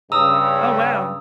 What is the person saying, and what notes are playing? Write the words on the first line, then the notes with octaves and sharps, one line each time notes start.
Oh, wow.
G2 C#3 A#5 D#6 E6